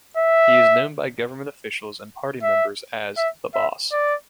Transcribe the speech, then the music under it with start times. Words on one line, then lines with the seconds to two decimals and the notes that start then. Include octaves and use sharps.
He is known by government officials and party members as "the Boss".
0.17 E5
2.43 E5
3.17 E5
3.54 E5
3.92 D5